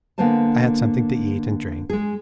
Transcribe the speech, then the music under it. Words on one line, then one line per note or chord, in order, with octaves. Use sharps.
I had something to eat and drink.
D3 A#3 B3 C5 G#5 A5
G#3 G#4